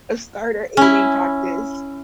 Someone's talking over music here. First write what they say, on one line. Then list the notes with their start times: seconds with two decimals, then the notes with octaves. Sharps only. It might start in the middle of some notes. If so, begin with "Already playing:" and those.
a starter aiming practice.
0.77 C#4 E4